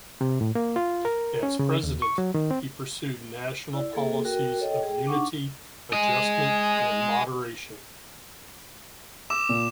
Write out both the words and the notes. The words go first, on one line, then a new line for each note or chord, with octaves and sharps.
As president, he pursued national policies of unity, adjustment, and moderation.
C3
A2
A#3
F4
A#4
C#4
C#3
D#2
C#6
F#3
D#3
C4
E4 D5
A#3 G#4 A4
F#4 A#4 G5
A4 C#5 D#5 G5
G#4 G5
D4 D#4 F#5 C#6 D6
G#4 D#5 G#5
D6 E6 E7
A#2